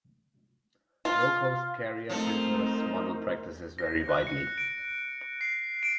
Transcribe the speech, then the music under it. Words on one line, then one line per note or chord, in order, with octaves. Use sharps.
Low-cost carrier business model practices vary widely.
F4
F3 A3 C4 D#4 A4 A#4 C5
A#6
F#6
C#7
D7
C7
D7